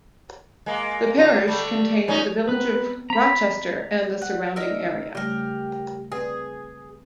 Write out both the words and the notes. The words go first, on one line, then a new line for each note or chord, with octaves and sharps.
The parish contains the village of Rocester and the surrounding area.
G#3 A#3
D3 F4
D3 G3 A3
A#2 C#4 D#4
B3 C4 A#4 B4
C4 A#5 B5
F#5
D#4 A#4 E5
C#3 G3 A3 G4 A#4
C4 G#4 B4